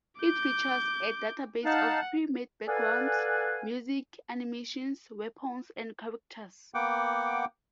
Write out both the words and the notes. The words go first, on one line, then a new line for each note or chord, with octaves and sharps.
It features a database of pre-made backgrounds, music, animations, weapons and characters.
D6 G6
D#4 F5 F#5 A5
A4 B4 D5 F5 F#5 G#5
A#3 B3 F#5 G5 D6